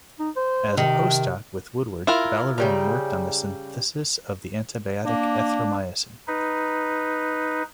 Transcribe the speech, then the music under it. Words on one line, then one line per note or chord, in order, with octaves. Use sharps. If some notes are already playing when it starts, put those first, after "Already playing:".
As a postdoc with Woodword, Balaram worked on the synthesis of the antibiotic erythromycin.
D#4
C5
C3 D#3
E4 F4 A#4
C#3 G3 A#5
A#3 D4
D#4 B4